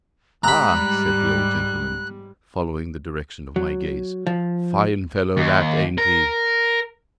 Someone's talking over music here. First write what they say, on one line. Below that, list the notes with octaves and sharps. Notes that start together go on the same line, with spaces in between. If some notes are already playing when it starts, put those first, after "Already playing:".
"Ah!" said the old gentleman, following the direction of my gaze, "fine fellow that, ain't he?"
G#2 G3 A#5 B5 F#6
F#3
F3
D#2
A#4